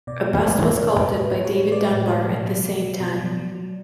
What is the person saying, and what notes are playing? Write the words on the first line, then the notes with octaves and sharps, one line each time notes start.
A bust was sculpted by David Dunbar at the same time.
B2 D5
G#3
B2
B2 E5
G#3 C#5
B4
B2
A2 B4
A2
C#5
G#3
G#3 D5
A2
A2
B2
F#3
F#3
F#3
B2
F#3
F#3
F#3